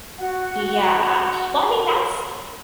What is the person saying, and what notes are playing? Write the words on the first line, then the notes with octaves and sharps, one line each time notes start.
Yeah. Well, I mean, that's
F#4 F#5